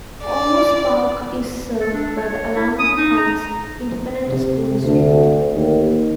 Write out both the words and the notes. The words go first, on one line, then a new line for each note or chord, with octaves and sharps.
Olmos Park is served by the Alamo Heights Independent School District.
D5
A4
D4
C#5
E4
D#6
D#4
A#5
C3
D2
D#2